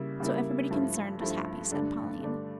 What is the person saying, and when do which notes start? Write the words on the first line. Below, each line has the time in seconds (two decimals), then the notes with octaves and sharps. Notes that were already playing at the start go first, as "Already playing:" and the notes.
"So everybody concerned is happy," said Pauline.
Already playing: C#3 G3 A#3 E4
0.20 C#3 G3 A#3 E4
0.71 G2 F3 A3 E4
1.20 G2 F3 A3 E4
1.72 G2 D3 A3 D4
2.21 G2 D3 A3 D4